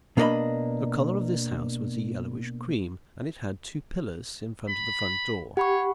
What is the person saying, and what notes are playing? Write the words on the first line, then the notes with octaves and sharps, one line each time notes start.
The colour of this house was a yellowish cream, and it had two pillars in front of the front door.
B2 A#3 D4 A4 D#5 B5
B5
G4 C#5 F#5 B5 C#6